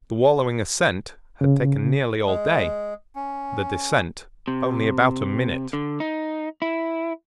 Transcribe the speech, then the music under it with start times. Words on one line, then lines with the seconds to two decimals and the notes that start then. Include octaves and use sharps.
The wallowing ascent had taken nearly all day, the descent only about a minute.
1.41 C#3
2.27 G#3
3.16 C#4
4.48 C3
5.73 D3
6.00 D#4
6.62 E4